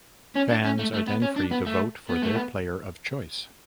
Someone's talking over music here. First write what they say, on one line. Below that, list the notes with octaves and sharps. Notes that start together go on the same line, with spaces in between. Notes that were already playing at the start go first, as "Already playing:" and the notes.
Fans are then free to vote for their player of choice.
C#4
D4
C#4
A3
A3
B3
C#4
D4
B3
A3
B3
A3
B3